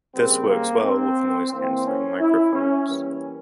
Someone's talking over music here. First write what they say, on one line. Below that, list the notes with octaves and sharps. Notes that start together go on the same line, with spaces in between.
This works well with noise cancelling microphones.
C#3 G3 A#3 C4
A#3
C4
E3 A#3 C4
C#4
E4
C#4
E3 G3 A#3 C#4